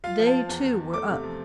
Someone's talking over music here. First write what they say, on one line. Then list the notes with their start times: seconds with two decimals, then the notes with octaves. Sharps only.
They, too, were up.
0.04 F4 F5
0.19 F3
0.27 A5
0.33 F3
0.49 E2
0.63 E2
0.78 E2
0.93 A3 D6
1.09 C3
1.23 F3